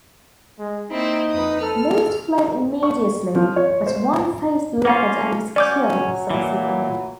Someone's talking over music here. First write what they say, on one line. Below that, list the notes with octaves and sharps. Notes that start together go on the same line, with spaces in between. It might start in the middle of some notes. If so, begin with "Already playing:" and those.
Most fled immediately but one faced the leopard and was killed subsequently.
G#3
A#3 C4 D#4 E4
F2 B4 D#6
A4 F6
C#6
F3
C#5
C5
A#3 C#4 F4
F#3 C#4 D5 D6 G6
A#2 E3